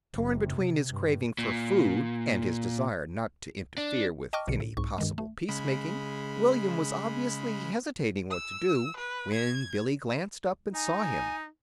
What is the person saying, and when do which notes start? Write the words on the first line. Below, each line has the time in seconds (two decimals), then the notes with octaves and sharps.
Torn between his craving for food and his desire not to interfere with any possible peace-making, William was obviously hesitating what to do, when Billy glanced up and saw him.
0.15 F#1
0.52 C3
0.91 G2
1.39 A#2
3.78 D4
4.33 D#5 G5 A5 C#6 D6 F6
4.48 B1 B2 D3 C#7
4.60 A2
4.77 C2 G#2 C#6
4.98 G2 D#3 G#3
5.18 A3
5.49 C#3 G#3 B5
8.31 E6
8.97 B4
9.34 G#6
10.74 D#4 G#5
10.99 G#5